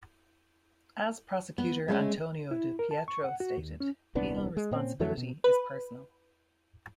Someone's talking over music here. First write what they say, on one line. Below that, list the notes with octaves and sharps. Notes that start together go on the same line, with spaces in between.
As prosecutor Antonio Di Pietro stated, Penal responsibility is personal.
B3
G#3 A3 C#4
E4
A#4
A5
C#6
F#5
F#4
D#2
C#4
D#1 C2 B3 D4
G#3
A#2 C4 C#4
F2 E3 F#3 A3
B2
B4